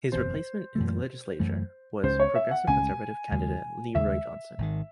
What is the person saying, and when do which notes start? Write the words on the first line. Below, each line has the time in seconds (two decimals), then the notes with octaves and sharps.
His replacement in the legislature was Progressive Conservative candidate LeRoy Johnson.
0.12 F#1 E2 C3 C5
0.75 F#2 E3 A3
1.39 F#2 E3 A3
2.03 C#2 C#3 G#3 C#4 C5
2.20 C#5
2.35 E5
2.51 F#5
2.67 C#2 C#3 G#3 C#4 G#5
3.32 D#2 C#3 G#3
3.95 D#2 C#3 G#3 E5
4.58 G#1 G#2 D#3